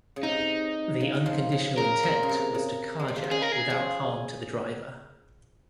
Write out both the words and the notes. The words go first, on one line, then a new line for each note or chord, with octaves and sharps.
The unconditional intent was to carjack without harm to the driver.
C#3
C3 D#4
C#3
D#3
C#3 F3
C#3
C#3 A#4
A#2
C#3
C3
C#3
G#3
G3
F3
D#3
C#3 G#4
A#4
G#4
C#3 F3